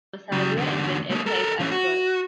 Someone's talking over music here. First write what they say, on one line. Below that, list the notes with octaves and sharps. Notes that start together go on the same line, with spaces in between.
Massalia is an S-type asteroid.
C#3 F#3
E2 D3
G#3 A#3
A4 A#4
E3 C#4
F#4